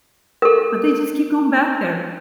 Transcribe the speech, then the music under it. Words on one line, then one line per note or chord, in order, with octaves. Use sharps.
But they just keep going back there.
A4 A#4